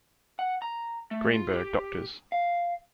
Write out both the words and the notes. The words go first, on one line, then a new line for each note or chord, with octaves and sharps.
Greenberg, Drs.
F#5
A#5
A3
F4
G4
F5